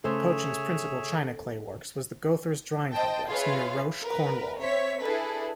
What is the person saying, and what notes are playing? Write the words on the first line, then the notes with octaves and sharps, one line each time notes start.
Pochin's principal china clay works was the Gothers drying complex, near Roche, Cornwall.
C#3 A3 G#4 A4 C5 C#5 E5
C5 D#5 G5 A5
F4 G#4 B4 C#5 E5 F5
A#4 B4
C4 C#5 E5 B6
D4 E4 G#4 A4 B4